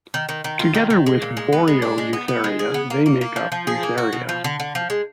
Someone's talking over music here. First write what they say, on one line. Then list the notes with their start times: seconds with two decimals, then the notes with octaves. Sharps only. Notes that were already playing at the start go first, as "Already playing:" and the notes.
Together with Boreoeutheria, they make up Eutheria.
0.14 D#3
0.29 D#3
0.44 D#3
0.59 F4
0.74 D#3
0.90 D#3
1.06 G#3
1.22 A#2
1.37 G#3
1.53 B3
1.68 G#3
1.82 D4
1.98 G#3
2.13 B3
2.28 B3
2.44 G#3
2.59 G#4
2.74 B3
2.90 A#3
3.06 A#3
3.21 A#3
3.36 F3
3.52 F3
3.67 G#4
3.83 A#3
3.98 F#4
4.13 B2
4.29 F3
4.44 D3
4.60 D3
4.75 F3
4.90 G#3